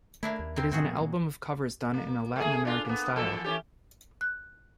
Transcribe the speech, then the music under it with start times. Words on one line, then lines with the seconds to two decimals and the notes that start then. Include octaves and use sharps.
It is an album of covers done in a Latin American style.
0.23 A3 A#3 D4 E4
0.39 D#2
0.56 A#3 C4
0.71 G#2 D#3 C4 F#4 G#4
0.83 A#2 F3 B3
1.01 A#2 A#3
1.94 A#3
2.36 A3 G#4
2.65 D4 F4
2.85 A#3 B3
3.16 E2 F3 A4
3.44 E3 C#4 G4
4.21 F#6